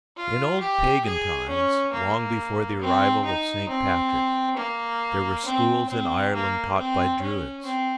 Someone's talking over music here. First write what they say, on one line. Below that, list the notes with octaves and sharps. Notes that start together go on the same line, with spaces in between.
In old pagan times, long before the arrival of St. Patrick, there were schools in Ireland taught by druids.
F4
G4
G#4
C#4
A#3
C4
D#4
C4
A#3
C4
C4
A#3
C4
C#4
C4